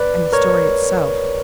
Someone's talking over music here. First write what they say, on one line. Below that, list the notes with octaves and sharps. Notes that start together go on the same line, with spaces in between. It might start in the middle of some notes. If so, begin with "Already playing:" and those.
And the story itself.
Already playing: B4 D5
A#4 C#5